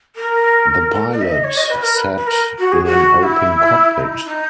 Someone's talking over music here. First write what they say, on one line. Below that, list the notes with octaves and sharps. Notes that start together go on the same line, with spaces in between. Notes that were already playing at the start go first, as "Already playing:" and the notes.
The pilot sat in an open cockpit.
A#4
A#4
D#5
E5
D#5
C#5
D#5
B4
A#4
B4
B4
A#4
F#4
G#4
F#4
E4
D#4
E4
D#4